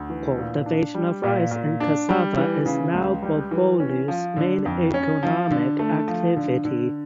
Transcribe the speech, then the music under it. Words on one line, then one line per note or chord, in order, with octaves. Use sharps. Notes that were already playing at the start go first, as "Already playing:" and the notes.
Cultivation of rice and cassava is now Bopolu's main economic activity.
Already playing: D2
E3
A#2
D4
G3
A#2
A#2
D4
G3
E3
C#3
C#2
G3
E3
C#4
F3
D3
F2
C#4
F3
D3
A3
F3
D3
D3